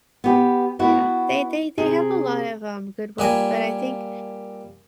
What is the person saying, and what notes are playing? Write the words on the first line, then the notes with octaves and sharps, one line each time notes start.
Yeah, they they they have a lot of, um, good ones, but I think
B3 G4
B3 E4 F#4
C3 G#4
A#2 G3 G#5